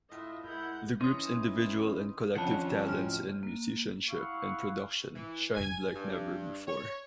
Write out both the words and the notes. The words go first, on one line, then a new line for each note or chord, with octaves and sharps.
The group's individual and collective talents in musicianship and production shined like never before.
A2 F4 D#5 E5
G#3 E4 A#4 F#5 G6
E3 C#4 D#4 C6 D#6
F2 D3 D#3 C#4 C5 F#5 A5
D2 A2 F6
A#3
E4 F5 F#5 C#6
E3
G#5
G2
C#5